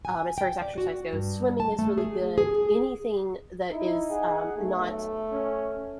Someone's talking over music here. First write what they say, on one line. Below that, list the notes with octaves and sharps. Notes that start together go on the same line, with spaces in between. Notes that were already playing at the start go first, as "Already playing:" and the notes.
um- as far as exercise goes- swimming is really good, anything that is, um, not
G#5
G5
D5
F#4
G2
A5
A3
G#4
G#4
D#4 E4
G#4 F#5
B1 A3
C#4